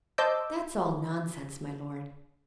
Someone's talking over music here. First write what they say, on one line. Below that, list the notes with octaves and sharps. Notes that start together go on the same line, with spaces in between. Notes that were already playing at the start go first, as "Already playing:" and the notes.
"That's all nonsense, my lord."
C5 D#5 A5 D6 E6 G6